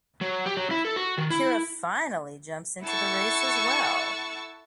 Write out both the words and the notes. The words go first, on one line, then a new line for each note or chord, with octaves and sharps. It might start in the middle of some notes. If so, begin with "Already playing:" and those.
Keira finally jumps into the race as well.
F#3
G4
F#3
E4
A4
F#4
D#3
E4
E4 A4 F#5 A5 C#6 E6